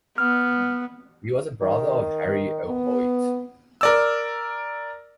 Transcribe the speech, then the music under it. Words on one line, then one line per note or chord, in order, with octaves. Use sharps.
He was a brother of Harry O. Hoyt.
B3 F6
D#3
B3
A#4 D5 E6